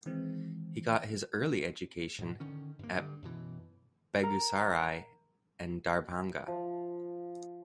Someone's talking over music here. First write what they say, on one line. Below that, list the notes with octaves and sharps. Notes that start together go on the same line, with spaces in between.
He got his early education at Begusarai and Darbhanga.
D#3 E3 G#3 C4
G#2 B2
D3 D#3 C#4
G2 A#3
G2 D3
F#2 B2 E3
A#4
F3